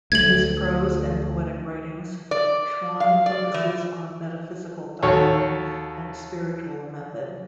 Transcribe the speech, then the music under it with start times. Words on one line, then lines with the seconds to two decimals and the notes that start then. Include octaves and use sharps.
In his prose and poetic writings, Schuon focuses on metaphysical doctrine and spiritual method.
0.12 D2 A3 G#6 F#7
2.31 D5
3.00 F5
3.26 D5
3.54 E3
5.02 D#2 F#4 A4 C#5